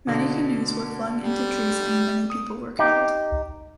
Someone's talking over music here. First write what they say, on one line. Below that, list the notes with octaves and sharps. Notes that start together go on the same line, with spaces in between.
Many canoes were flung into trees and many people were killed.
B2 D3
G3
D#6
D#4 G4